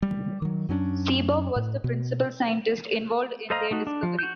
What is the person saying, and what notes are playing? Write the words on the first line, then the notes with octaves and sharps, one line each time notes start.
Seaborg was the principal scientist involved in their discovery.
G3
D#3 F#3
F#2 F#3 C#4 D4
A2
B2
A4 C5 D#5 F5 A#5
A3 D#4 F#4
D4
F3
F#4 G6